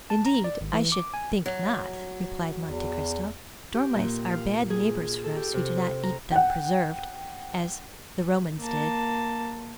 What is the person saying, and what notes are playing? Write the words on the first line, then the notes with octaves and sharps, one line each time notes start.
"Indeed, I should think not," replied Monte Cristo; "dormice are bad neighbors for us who do not eat them preserved, as the Romans did."
A5
A#5
D5
G#1
E3
D6
G#5
F#3
E2
G4
A#2
F5
G#4
A4
G4
C3
A#5
F#5 G5
A#3 A5